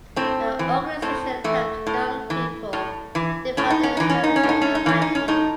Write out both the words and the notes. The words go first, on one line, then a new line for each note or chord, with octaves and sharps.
The organization helped young people develop their inspiration and writing.
A2 C4
E3
A2 C4
E3 A3
A2
E3
A2
E3
A2 C#4
D#4
C#4
E3 D#4
C#4
D#4
C#4
A2
D#4
C#4
D#4
E3 C#4
D#4
C#4
A2 D#4